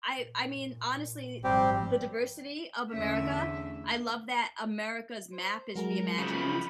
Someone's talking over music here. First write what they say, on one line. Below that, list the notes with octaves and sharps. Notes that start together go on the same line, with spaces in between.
I I mean, honestly, the diversity of America, I love that America's map is reimagined,
A#2
G#1 F3 G3 C4 G4
E2 D3 A3 C#4 E5
C5
F#3 G#3 A#4 A#5
C#3 F3 B5